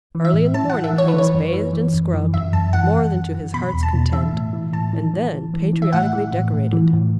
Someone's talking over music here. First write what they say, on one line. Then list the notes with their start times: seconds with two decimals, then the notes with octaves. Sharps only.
Early in the morning he was bathed and scrubbed, more than to his heart's content, and then patriotically decorated.
0.15 E3
0.25 E5
0.33 A2
0.54 E3 A5
0.70 E3 F#5
0.84 E5
0.93 E3 C#5
1.08 B4
1.14 E3 C#5
1.34 F#2
1.54 E3
1.73 E3
1.94 F#2
2.14 E3
2.33 F#2 E5
2.53 F#2 A5
2.73 E3 F#5
2.94 F#2
3.14 F#2
3.34 E3
3.54 B2 B5
3.74 E2
3.83 A5
3.94 B2
4.13 E3 E5
4.33 A2
4.53 E3
4.73 A2 A5
4.93 E3
5.14 E3
5.33 E3
5.54 E3
5.73 E3
5.82 E5
5.93 A2 F#5
6.13 E3
6.33 A2
6.54 A2
6.73 E3
6.93 A2